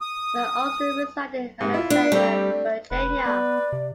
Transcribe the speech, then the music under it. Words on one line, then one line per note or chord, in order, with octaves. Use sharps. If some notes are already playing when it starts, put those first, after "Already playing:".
The Austins reside in Alexandria, Virginia.
D#6
G#2 C3
E4 F4
D4
G3 A3 C4 G4
F1 B4
B3 D5
C3